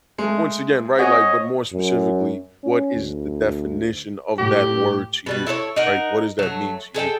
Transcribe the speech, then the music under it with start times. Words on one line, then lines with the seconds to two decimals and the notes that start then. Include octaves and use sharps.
Once again, right, like, but more specifically, what is the definition of that word to you, right, what does that mean to you?
0.18 G#3 A3
0.98 C4 F#4 G#4 C#5 D#5
1.72 F#2
2.63 C#4
2.95 D2
4.38 A2 G4
5.26 B2 G3 B4
5.47 E4 A4 B4 C#5
5.76 D#4 A#4 F#5
6.39 F#3 A3
6.94 G#4 A4 D#5 G5